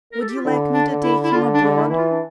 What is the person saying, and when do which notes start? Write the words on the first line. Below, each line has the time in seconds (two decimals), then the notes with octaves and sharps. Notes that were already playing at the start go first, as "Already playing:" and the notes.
Would you like me to take him abroad?
0.12 A#4
0.20 A4
0.28 G4
0.36 F4
0.45 D3 E4
0.73 D4
0.89 D3
1.03 E4
1.24 E4
1.32 D3 F4
1.54 D4
1.61 D3
1.76 E4
1.89 E3 E4
1.97 F4
2.11 D4